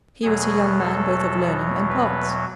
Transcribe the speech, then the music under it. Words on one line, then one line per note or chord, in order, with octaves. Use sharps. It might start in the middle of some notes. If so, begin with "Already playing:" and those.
He was a young man both of learning and parts.
E2 B2 F#3 G#4
A4
B4